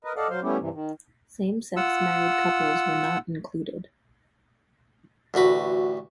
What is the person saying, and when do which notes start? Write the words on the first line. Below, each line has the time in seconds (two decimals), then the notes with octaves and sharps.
Same-sex married couples were not included.
0.05 A#4 B4 D#5
0.17 A4 D5 D#5 F5 F#5
0.30 F#3 C5 F5
0.43 G3 A3 B3 C#4 E4 G4
0.60 G2 C3 E3
0.73 D#3
1.76 F4 F#5 E6
5.34 A1 D2 F#4 B4